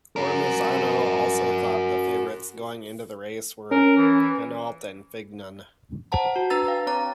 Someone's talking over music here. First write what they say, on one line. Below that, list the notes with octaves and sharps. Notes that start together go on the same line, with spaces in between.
Ormezzano also thought the favorites going into the race were Hinault and Fignon.
F#4 A#4
C#4 A#4
E3
C5 F#5 A5 A#5
F#4
D4 B4 A#5 E6 A6
F5 G5
C4 C#5 A#5 D6 A6